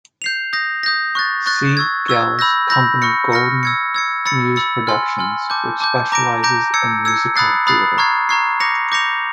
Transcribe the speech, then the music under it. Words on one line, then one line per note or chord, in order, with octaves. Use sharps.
C. Gell's company Golden Muse Productions, which specialises in musical theatre.
G6 C7 F7
D#6 G6 A#6
D#6 G6 A#6
C#6 F#6 A6
C#6 F#6 A6
C#6 E6 G#6
C#6 E6 G#6
B5 E6 G6 A#6
B5 E6 G6 A#6
C#6 F6 A#6 C#7
C#6 F6 A#6 C#7
E6 G#6 C#7
E6 G#6 C#7
B5 E6 A6 C#7
B5 E6 A6 C#7
G#5 C6 F6
G#5 C6 F6
A5 D6 G6
A5 D6 G6
A#5 D6 G6 A#6 D7
A#5 D6 G6 A#6 D7
E6 G#6 C#7
E6 G#6 C#7
B5 D#6 F#6 A6 C7
B5 D#6 F#6 A6 C7
A#5 C#6 F6 G#6 C7
A#5 C#6 F6 G#6 C7
D6 G6 A#6 C#7 F7
D6 G6 A#6 C#7 F7